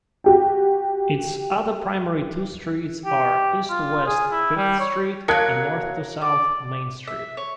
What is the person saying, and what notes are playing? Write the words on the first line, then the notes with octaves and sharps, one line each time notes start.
Its other primary two streets are east-to-west Fifth Street and north-to-south Main Street.
F#4 G4 G5
G4
F4
G#4
E4
G3
C#5
F#3 A#3 A#4 A5 F#6 G#6 C#7
D5
E5
C#5